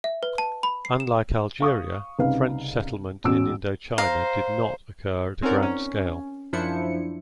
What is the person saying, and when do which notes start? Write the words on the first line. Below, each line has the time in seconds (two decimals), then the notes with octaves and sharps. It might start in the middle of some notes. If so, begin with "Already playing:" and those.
Unlike Algeria, French settlement in Indochina did not occur at a grand scale.
0.04 E5
0.23 B4
0.38 A5
0.63 B5
0.85 C7
1.00 E7
1.60 F5 C#6 D#6
2.19 C2 C#3 D#4 B4 F5
3.24 A1 E2 C#4 F#4 E6 D7
3.98 C5 F5 A#5
5.42 C4 C#4 D#4 F#4 A#4 D5
5.63 C#4
6.53 F#2 F3 D4 E4 C5 C#7